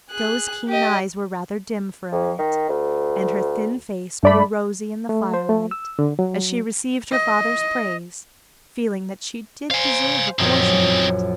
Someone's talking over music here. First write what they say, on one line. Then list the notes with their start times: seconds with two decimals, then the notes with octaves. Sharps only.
Jo's keen eyes were rather dim for a minute, and her thin face grew rosy in the firelight as she received her father's praise, feeling that she did deserve a portion of it.
0.10 G#4 F#6
0.68 G4 D#5
2.12 F2
2.39 D#3
2.69 D2
4.23 G2 A3 D5 B5
5.09 A3
5.34 C5
5.49 A3
5.71 E6
5.99 D3
6.19 F#3
7.11 D#5
9.71 C5 F5 G#5
10.39 A#1 F#2 C4 D#4